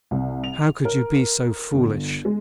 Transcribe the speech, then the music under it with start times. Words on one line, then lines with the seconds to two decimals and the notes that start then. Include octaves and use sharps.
"How could you be so foolish?"
0.11 C2
0.44 F7
0.85 A#4
1.73 G1
2.25 G#3